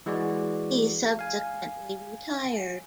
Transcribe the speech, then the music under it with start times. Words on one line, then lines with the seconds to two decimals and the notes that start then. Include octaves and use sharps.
He subsequently retired.
0.06 E3 G#3 F#4 G#4 D5
1.19 F5 G#5